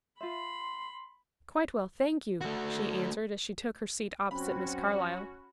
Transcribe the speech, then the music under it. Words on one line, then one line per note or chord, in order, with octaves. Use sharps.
"Quite well, thank you," she answered, as she took her seat opposite Miss Carlyle.
F4 E5 B5 C6
A3 F#4
F#2 C4 C#4 F#4 B5